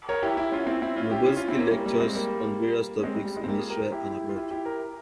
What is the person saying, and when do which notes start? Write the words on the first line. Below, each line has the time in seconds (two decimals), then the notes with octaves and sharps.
Lubotzky lectures on various topics in Israel and abroad.
0.09 A#4 C#5
0.22 E4 G4
0.37 E4 G4
0.52 C#4 F4
0.67 C4 E4
0.82 C4 E4
0.96 C#4 F4
1.11 E4 G4
1.26 C#4 F4
1.37 C#4 F4
1.48 C4 E4
1.59 A#3 C#4
1.71 G3 A#3
1.85 G3 A#3
2.00 G#3 C4
2.15 G3 A#3
2.99 C#4
3.03 G#3 C4
3.15 G3
3.25 G3
3.37 G#3
3.44 C4
3.48 G3 A#3
3.59 F4 G#4
3.70 G4 A#4
3.92 E4 G4
4.29 F4
4.36 E4 G4
4.51 E4 G4
4.65 G4 A#4